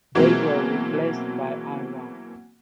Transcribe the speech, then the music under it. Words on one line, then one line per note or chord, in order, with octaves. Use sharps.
They were replaced by Iran.
B2 E3 F#3 G#3 A#3 C4